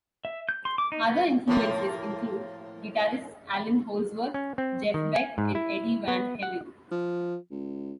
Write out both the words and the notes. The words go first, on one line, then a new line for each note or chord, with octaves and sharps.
Other influences include guitarists Allan Holdsworth, Jeff Beck, and Eddie Van Halen.
E5
G6
C6
D6
D#4
B3
A2 F3 A#3
C#4
C4
D#3
G#5
G#2
E4
B3
F#5
F3
C#2